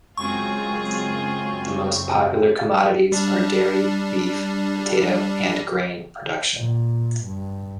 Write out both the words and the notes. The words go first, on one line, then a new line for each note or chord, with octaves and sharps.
The most popular commodities are dairy, beef, potato, and grain production.
F#2 C#3 G#3 C4 F4 G#4 C#6
G3 D4
A#2
G2